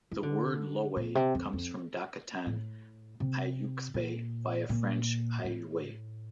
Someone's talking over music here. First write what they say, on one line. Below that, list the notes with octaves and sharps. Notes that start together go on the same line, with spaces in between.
The word Ioway comes from Dakotan "ayuxbe" via French "aiouez".
E3
D3
A#2
C3
F2
F2
A2
C3
A#2
A#2
A2